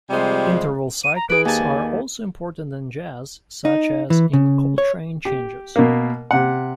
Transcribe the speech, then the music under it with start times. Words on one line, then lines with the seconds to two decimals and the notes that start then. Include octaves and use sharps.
Interval cycles are also important in jazz, such as in Coltrane changes.
0.09 C3 F3 G3 G#3
1.04 D#7
1.16 A#5
1.30 G#4 B4 D7
1.45 D#2 G#5 A5
3.65 D#4
4.10 E3
4.33 C#3
4.78 C#5
5.25 G4
5.76 B2 A#3
6.31 C3 F#5